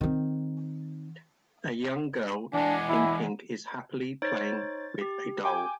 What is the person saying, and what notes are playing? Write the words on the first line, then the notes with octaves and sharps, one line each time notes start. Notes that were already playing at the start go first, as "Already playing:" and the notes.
A young girl in pink is happily playing with a doll.
D#3 C4
E2 G#3 D4 F#5 G#5 D6
E4
D#4 C5 C#5 A6
G4
G5 G#5 D6